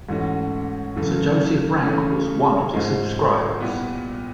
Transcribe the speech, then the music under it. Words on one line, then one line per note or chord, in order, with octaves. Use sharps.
Sir Joseph Rank was one of the subscribers.
G#2 E3 A3 C#4 F#4
F#2 C#3 E3 A3
C#3 E3 A3 C#4
G#2 F3 G#3 C4
A#2 G3 B3 E4